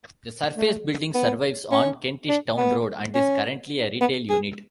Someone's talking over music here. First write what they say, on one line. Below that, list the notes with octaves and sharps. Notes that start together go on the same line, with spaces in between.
The surface building survives on Kentish Town Road and is currently a retail unit.
A3
B3
C#4
D4
B3
C#4
B3
G#4